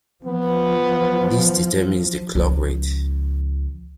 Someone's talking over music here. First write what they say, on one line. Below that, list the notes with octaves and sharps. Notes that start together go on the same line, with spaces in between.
This determines the clock rate.
F3 B3
C#2 F3